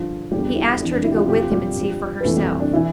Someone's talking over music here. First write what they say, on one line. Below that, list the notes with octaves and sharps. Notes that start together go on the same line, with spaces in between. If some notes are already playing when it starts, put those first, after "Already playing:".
He asked her to go with him and see for herself.
Already playing: G2 D3 F3 F4
E2 D3 F3 G3 G4
E4
F2 E3 D4
D4
E4
G4
F3 F4
F2 C3 F3 G4
F4
G3 G4
G2 F3
B4
F2 E3 A3 A4
G3 G4
D4
E3 E4